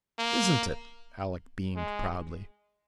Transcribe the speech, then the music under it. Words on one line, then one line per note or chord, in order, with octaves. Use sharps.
"Isn't it?" Alec beamed proudly.
A#3
G#3